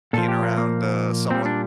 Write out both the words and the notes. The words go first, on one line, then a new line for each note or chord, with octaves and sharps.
being around, uh, someone
A#2 F3 A4
G4
A#3
A#3
A#2 G3 C4
D4